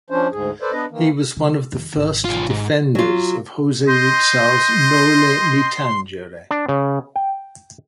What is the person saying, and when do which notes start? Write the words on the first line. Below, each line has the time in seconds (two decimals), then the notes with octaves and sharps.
He was one of the first defenders of Jose Rizal's "Noli Me Tangere".
0.10 F3 C#4 D4 C5
0.32 D2 G#2 G#4
0.61 A4 B4 C5 D5
0.72 B3 D4 B4 D#5
0.91 D#3 E3 A#3
1.37 C#3
1.72 F2 D#3
1.94 G#1 D#3
2.25 B1 F4
2.50 G#2
2.95 F#3 F4
3.88 D#5 C6 G6
6.51 D4
6.69 C#3
7.16 G5